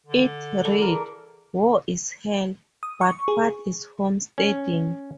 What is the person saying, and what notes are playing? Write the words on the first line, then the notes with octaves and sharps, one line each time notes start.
It read: War is Hell, but what is homesteading?
D3
E3 A4 D5
G#4 A#4
D#6
C#6
G#4
C#4